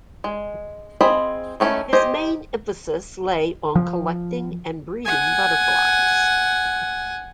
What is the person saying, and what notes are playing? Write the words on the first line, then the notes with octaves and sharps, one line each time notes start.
His main emphasis lay on collecting and breeding butterflies.
G#3
C4 F4 G#4 D#5 B5
D#3 A3 C#4 E4
G4 C5 D#5 G5 G#5
F3
F#5 G#5